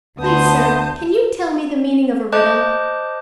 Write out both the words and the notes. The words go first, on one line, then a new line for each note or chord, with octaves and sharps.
"Please, sir, can you tell me the meaning of a riddle?"
D2 B3 A5 C6 D#6 G6
C5 D#5 A5 D6 F#6 G6